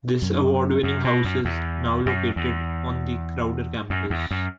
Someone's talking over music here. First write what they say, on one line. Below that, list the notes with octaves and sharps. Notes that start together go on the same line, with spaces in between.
This award winning house is now located on the Crowder campus.
F#2
F#2
B2
F#2
E2
F#2
E2
F#2
E2
F#2